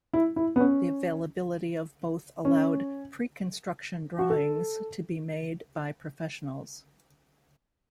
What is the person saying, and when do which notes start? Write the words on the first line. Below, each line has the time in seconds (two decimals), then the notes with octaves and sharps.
The availability of both allowed pre-construction drawings to be made by professionals.
0.13 E4
0.36 E4
0.56 B3
0.60 C#4
2.45 C#4
4.19 F#4
4.30 A4